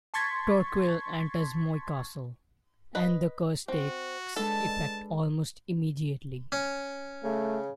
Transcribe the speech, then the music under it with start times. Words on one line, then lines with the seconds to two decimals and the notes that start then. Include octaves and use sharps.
Torquil enters Moy Castle, and the curse takes effect almost immediately.
0.14 A5 C6 C#6 G#6 A6 B6
2.95 B4 D#5
3.68 C4 F#4
4.36 G#3 D4 A4 B4 A5
6.52 C#4
7.24 C#3 A3